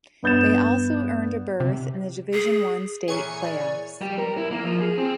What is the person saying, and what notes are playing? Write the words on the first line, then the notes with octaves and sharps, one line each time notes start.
They also earned a berth in the Division One State playoffs.
G2 B3 G6 A6 E7
C3
G#4
A#2 E3 G#4 C#5 G#5 C#6
D5
G3
A#4
E4
A#3
F3
G#4
C4